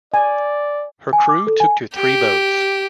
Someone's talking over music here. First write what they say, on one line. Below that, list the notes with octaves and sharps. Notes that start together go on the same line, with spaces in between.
Her crew took to three boats.
D5 G#5
G#5
D6
A4
G#5
G4